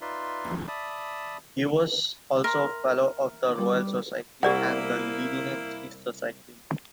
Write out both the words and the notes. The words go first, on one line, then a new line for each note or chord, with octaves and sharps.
He was also a Fellow of the Royal Society and the Linnean Society.
D#4 F4 B4 D5 E5 C6
D5 E5 A5 B5 D#6
A#4 E5 C6
G3 D6
C2 A#3 E4 G4 D5 F#5